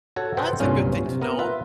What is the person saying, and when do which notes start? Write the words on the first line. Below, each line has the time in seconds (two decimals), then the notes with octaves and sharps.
Well, that's a good thing to know.
0.16 F#4 A4 C#5
0.37 A4 B4 C5 D#5 F#5 G5
0.60 C2 G2 A#2 F#3 C#4 F4
1.06 C3
1.21 B3 A#4
1.39 F4 B4 E5